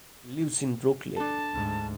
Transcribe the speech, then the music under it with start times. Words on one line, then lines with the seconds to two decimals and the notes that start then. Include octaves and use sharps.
Lives in Brooklyn.
1.16 D4 A4 A5
1.52 D2 G#2